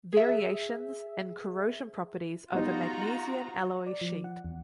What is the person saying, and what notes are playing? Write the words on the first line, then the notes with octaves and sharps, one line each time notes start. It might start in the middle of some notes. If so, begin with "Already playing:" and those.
Variations in corrosion properties over magnesium alloy sheet.
G#4 E5
G3 B3 D#4 F4 F#4 A#5
D5
F3
F#5
E2